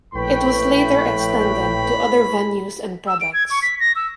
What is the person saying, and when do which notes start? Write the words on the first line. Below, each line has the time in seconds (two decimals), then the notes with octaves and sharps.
It was later extended to other venues and products.
0.14 A#1 A2 B4 G5 B5 C#6
3.07 E6
3.21 D7
3.33 G#6
3.50 C#6
3.63 B6
3.80 A#6
3.96 E6